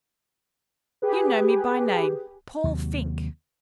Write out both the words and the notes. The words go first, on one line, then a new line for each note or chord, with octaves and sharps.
You know me by name--Paul Fink.
G4 G#4 B4
D#2 C3 F#3